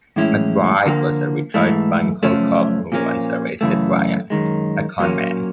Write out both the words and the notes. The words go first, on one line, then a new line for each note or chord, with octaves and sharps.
MacBride was a retired bunco cop who once arrested Ryan, a con man.
A2 E3 G#3 C#4 E4
D3 F3 A#3
G#2 E3 A3
F#2 C#3 F3 A3 C#4
A#2 F3 A#3 C#4
F#2 C#3 E3 A3
F#2 D#3 G#3
A#2 F#3 A#3 C#4